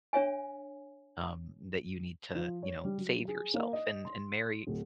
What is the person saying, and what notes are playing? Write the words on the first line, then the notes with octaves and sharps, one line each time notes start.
um, that you need to, you know, save yourself and and marry
D4 C#5 E5 G#5
F3
C#5
G3
F#3
G#4
A#3
D#5
C6
D1